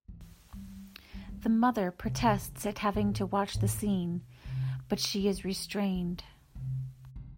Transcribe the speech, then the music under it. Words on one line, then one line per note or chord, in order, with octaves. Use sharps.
The Mother protests at having to watch the scene, but she is restrained.
E3
G3
G3
G3
B2
C3
D3
A2
A2
B2
C3
G3
E3
D3
C3
D3